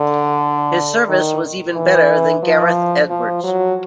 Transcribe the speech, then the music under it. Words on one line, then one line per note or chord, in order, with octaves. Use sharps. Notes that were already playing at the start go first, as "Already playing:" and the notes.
His service was even better than Gareth Edwards.
Already playing: D3
D#3
E3
F3
F3
F#3